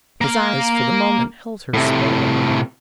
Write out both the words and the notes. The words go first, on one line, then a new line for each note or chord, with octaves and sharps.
His eyes for the moment held her spellbound.
A#3 F5
A2 C3